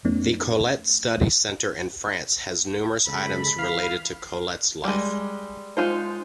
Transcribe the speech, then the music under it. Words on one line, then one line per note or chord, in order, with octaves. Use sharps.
The Colette Study Centre in France has numerous items related to Colette's life.
F2 F3 A3 B3 C#4 D#4
C#3 G#3 A4 B5
E3 F5
G3 G#3
G#3 D#4 F4 C5